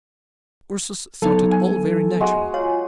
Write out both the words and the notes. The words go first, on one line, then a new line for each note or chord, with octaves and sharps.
Ursus thought it all very natural.
F#3 B3 D#4 A4
G#5
G#3 F#4
F4 C#5